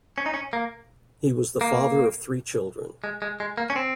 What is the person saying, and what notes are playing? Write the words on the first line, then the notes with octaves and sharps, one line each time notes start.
He was the father of three children.
C#4
D#4
C#4
A#3
A#3
G#3
G#3
G#3
A#3
C#4
C4